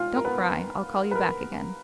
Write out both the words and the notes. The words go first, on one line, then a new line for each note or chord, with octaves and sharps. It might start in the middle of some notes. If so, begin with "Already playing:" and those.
"Don't cry, I'll call you back again."
Already playing: G#2 D#3 F4 F5
A#4
B3 B4
B4
A#4